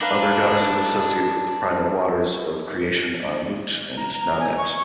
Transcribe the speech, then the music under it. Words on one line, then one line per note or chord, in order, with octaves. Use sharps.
Other goddesses associated with the primal waters of creation are Mut and Naunet.
D4 D#4 B4 F5
A#5
A#5
G#5
C#6